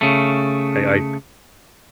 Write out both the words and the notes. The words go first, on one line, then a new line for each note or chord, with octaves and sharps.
I I
C#3 A3